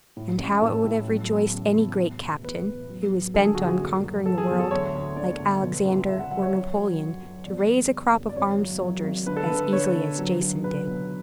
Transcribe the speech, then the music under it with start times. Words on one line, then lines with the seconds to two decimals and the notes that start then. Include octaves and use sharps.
And how it would have rejoiced any great captain, who was bent on conquering the world, like Alexander or Napoleon, to raise a crop of armed soldiers as easily as Jason did!
0.17 A2
0.39 A1
0.62 A2 A4
0.84 A2
1.07 F#3
1.30 E2
1.52 C#3
1.76 E2
1.98 E2
2.21 B2
2.43 E2 B4
2.66 E2
2.89 F#3
3.13 F#3
3.34 D3 A4
3.44 G#4
3.55 D2 F#4
3.65 G#4
3.80 F#1
4.04 F#3
4.26 F#3 A4
4.38 G#4
4.48 E2 G#4
4.60 A4
4.71 D2 C#5
4.95 D2
5.17 D3 D5
5.39 D2
5.63 B2
5.85 C#2
6.08 C#2 E5
6.19 F#5
6.31 F#3 F#5
6.42 C#5
6.54 F#3
6.76 F#3
7.00 F#2
7.22 F#3
7.44 E2 D5
7.67 E2
7.90 F#1
8.14 F#1
8.29 D5
8.36 G#1 C#5
8.58 F#3
8.82 F#3
9.04 G#1
9.27 D3 B4
9.37 A4
9.46 B4
9.49 D3
9.72 D3 C#5
9.95 D3
10.18 F#3
10.41 F#3
10.64 C#2 B4
10.87 B2